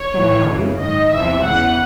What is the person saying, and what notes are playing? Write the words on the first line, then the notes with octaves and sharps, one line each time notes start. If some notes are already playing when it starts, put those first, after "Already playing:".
"Can I help you?" I asked.
Already playing: C#5
A2 E3
F#2 C#3 E3
G#2 D#3 D#5
E2 C3 E3 E5
E2 C#3 E3 F#5